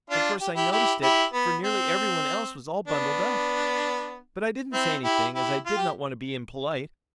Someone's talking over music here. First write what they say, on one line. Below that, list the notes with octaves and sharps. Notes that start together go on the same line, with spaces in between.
Of course I noticed it, for nearly everyone else was all bundled up; but I didn't say anything as I did not want to be impolite.
D4 F4
G4
E4 G4
E4 G4
E4 G4
B3
C4
B3 D4
C4 E4
E4 G4
E4 G4
F4
G4